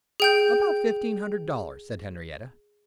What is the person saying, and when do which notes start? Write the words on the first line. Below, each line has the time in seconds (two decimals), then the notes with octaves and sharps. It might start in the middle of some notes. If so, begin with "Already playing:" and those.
"About fifteen hundred dollars," said Henriette.
0.20 G#4 G5 G6